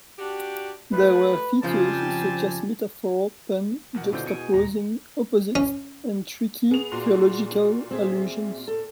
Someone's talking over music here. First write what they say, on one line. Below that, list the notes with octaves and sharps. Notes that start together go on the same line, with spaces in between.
There were features such as metaphor, pun, juxtaposing opposites and tricky theological allusions.
D4 F#4 G4
F3 G3 A3 B4
F2 C#3 F3 G3 C4 G#5 A5
D#2 B2 A#4 F#5
D#2 D3 C4 E4 F4 G6
F2 G#5 C#7 D7
G#4
D#2 A#2 G#3 A#5
C#4
B3 G#4 F7
A#2 F#4 C6
C4 G#4 E5
A4